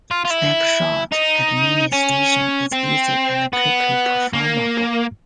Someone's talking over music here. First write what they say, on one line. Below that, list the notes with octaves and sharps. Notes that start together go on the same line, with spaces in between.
Snapshot administration is easy and quickly performable.
F4
F4
E4
D#4
C#4
C4
B3
A#3